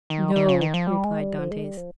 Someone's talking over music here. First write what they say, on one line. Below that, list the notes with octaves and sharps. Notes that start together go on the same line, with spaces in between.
"No," replied Dantes.
D#3
D#3
C#3
D#3
F3
G3
G#3
G3
F3
G#3
G3
F3